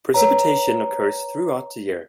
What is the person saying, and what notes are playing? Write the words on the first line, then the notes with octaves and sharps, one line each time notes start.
Precipitation occurs throughout the year.
B4 C#5 A#5